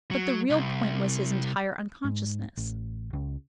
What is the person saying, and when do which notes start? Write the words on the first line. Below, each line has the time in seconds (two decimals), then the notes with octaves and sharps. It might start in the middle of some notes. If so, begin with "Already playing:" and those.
But the real point was his entire unconsciousness.
0.11 F#3
0.50 C2
2.05 G#2
2.57 A1
3.13 C#2